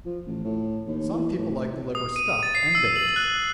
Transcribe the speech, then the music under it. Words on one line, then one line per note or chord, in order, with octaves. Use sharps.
Some people like the liver stuffed and baked.
F3
A1
A2
D#2
E3
A2
D#6
D#7
A6
C7
E6
F#7
F#6